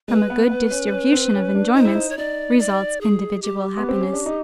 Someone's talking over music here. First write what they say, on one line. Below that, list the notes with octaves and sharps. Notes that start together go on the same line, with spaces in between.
From a good distribution of enjoyments results individual happiness.
G#3 B4
B3
B3
C#4
C#4
C4
C#4
D4
D#4 C5
E4
D#4
C#5
D#4 D5
D5
G#4
G4
B3
C4
C#4
D4
D#4